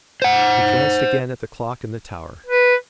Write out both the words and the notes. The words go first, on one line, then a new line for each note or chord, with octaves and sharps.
He glanced again at the clock in the tower.
C5 F#5
B4